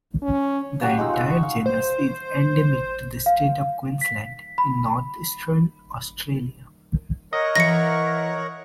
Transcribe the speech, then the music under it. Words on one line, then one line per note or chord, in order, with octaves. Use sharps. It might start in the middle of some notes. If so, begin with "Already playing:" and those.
The entire genus is endemic to the State of Queensland in northeastern Australia.
C#4
A#3 F#4 G4 F#5
G#3 D#4 F4 E6
F#5
C#6
F5
C5
F5
B6
B5
A#4 C#5 D#5 F#5
E3 E5 A#5 A#6 C#7